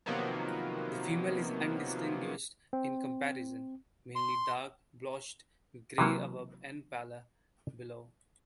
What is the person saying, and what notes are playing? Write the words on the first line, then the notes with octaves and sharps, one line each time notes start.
The female is undistinguished in comparison, mainly dark-blotched grey above and paler below.
C3 D#3 F3 F#3 A#3 B3
C4
C6
C3 E3 F#3 A#3